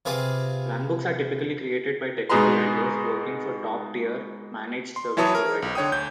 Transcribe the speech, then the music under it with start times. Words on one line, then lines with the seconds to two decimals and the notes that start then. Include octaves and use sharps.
Runbooks are typically created by technical writers working for top tier managed service providers.
0.05 C3 F4 G#4 B4 D6
2.29 G#2 B2 G#4 B4 A#5 C6
4.96 C6
5.17 E3 F#3 E4 C#5 A5 D#6
5.35 A#4
5.62 B1
5.75 D3 C#5 G5 D#6
5.92 D2 G6